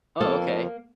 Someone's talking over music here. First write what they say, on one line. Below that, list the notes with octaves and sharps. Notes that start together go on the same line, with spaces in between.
Oh, okay.
F2 A#3 A4